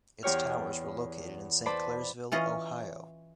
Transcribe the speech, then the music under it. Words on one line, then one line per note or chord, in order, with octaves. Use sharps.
Its towers were located in Saint Clairsville, Ohio.
E2 G4 C#5 F6
B4 C5 D5 A5 B5
E3 C#4 F4 D#5